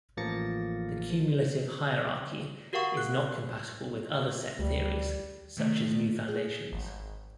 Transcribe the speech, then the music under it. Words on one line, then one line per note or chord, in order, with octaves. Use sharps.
The cumulative hierarchy is not compatible with other set theories such as New Foundations.
A1 F3 A#3 A6 A#6 C#7
F#4 G4 A#4 F5 F#5 C#6
F#6
D2 G3
C3 D#3 A3
G#4
G#1